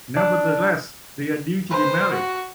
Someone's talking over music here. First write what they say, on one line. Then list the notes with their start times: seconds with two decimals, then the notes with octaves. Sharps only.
Nevertheless, they are due to be married.
0.17 D4
1.70 B4 C5
2.11 F#4